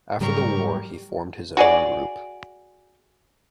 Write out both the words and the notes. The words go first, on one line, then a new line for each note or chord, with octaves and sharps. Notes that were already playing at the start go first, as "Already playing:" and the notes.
After the war he formed his own group.
G#2 C#3 F#3 G3 A3 A#4 C#6
F#4 G#4 D5